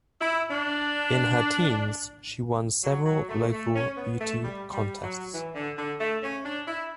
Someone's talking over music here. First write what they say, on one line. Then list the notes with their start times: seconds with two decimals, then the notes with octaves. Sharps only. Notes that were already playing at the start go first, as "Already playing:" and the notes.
In her teens, she won several local beauty contests.
0.21 E4
0.51 D4
2.83 F#3
3.06 F#3
3.28 A3
3.52 A3
3.74 C#4
3.96 B3
4.20 A3
4.42 G3
4.72 G3
5.03 F#3
5.32 E3
5.55 D3
5.77 D3
6.00 A3
6.23 C#4
6.45 D4
6.68 E4